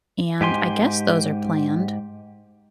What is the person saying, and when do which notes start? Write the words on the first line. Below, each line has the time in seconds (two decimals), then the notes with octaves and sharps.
And I guess those are planned,
0.41 G#2 G4 G#5 C6